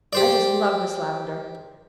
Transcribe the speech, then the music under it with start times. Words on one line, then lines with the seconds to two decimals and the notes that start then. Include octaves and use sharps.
I just love Miss Lavendar.
0.13 G4 C5 D5